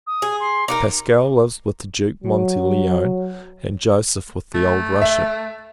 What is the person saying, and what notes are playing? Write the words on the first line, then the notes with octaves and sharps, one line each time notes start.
Pasqual lives with the Duke Montelione; and Joseph, with the old Russian.
D#6
G#4
C6
D#4 F#4 A#4 D6
F#3
A3
E5